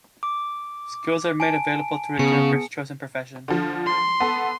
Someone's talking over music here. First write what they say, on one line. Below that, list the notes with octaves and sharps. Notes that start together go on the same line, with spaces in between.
Skills are made available through the character's chosen profession.
D6
G#5 A5 D7
C#3 B3 G#4 C#7
D3 F3
C6
B3 A4